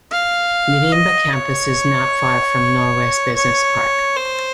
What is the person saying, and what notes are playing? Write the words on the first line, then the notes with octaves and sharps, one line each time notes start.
Nirimba campus is not far from Norwest Business Park.
F5
D#5
C#5
C#5
C5